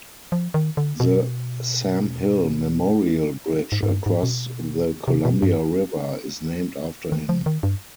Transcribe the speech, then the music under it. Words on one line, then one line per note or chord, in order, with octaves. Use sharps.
The Sam Hill Memorial Bridge across the Columbia River is named after him.
F3
D#3
D3
B2
G#2
G#2
G2
G#2
B2
C3
B2
G2
D#3
F3
D#3
G2